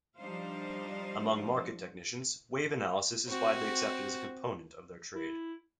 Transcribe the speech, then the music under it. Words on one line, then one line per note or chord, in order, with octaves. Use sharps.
Among market technicians, wave analysis is widely accepted as a component of their trade.
F3 G3 D4 D#4 C5 F5
C4 F#4
E4